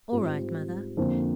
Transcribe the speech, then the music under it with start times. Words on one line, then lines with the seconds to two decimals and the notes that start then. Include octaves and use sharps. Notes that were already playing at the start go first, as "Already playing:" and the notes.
'All right, Mother.
0.12 G#2 G3 C4 F4
0.97 F2 D3 F3 A#3